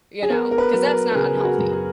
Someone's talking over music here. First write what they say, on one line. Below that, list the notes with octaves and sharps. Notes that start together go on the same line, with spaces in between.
you know, cause that's not unhealthy.
G#4
B3 A#4
A#4
B4
F#3
A#4
A#4
C#3 G#4
G#4
F#4
F#2
G#4